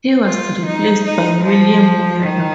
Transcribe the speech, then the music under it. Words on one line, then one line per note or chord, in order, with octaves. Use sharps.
He was replaced by William Weber.
F4
D#4
D#4
F3
D#3